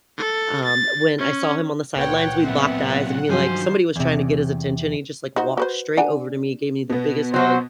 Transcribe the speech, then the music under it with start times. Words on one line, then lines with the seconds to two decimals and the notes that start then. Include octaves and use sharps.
um, when I saw him on the sidelines, we locked eyes and he like somebody was trying to get his attention, and he just, like, walked straight over to me, gave me the biggest hug,
0.17 A4
0.65 A6
1.18 C#4
1.96 C#2 A#2 B4 C#5 F#5 G5
2.44 F#3 B3 C4 E5
3.29 G2 D#3 F3 F#3 D4 F#4 C5 G#5
3.96 E2 C3
5.36 D#4 F#4 C5
5.57 F#4 B4 C5
5.97 D4 F#5 G#5
6.90 B2 B3
7.34 F#3 F#4 C5